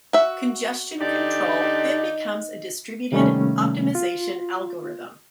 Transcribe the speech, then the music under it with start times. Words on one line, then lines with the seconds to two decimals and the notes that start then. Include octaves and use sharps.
Congestion control then becomes a distributed optimisation algorithm.
0.13 F#4 E5
1.01 D3 D#4 G4 D5
3.12 C3 D#3 G3 A3 A#3 C#4
3.95 F4